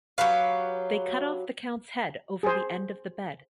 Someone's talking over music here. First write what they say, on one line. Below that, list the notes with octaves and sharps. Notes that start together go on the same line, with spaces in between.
They cut off the count's head over the end of the bed.
F#3 G4 B4 F5
G#4 C5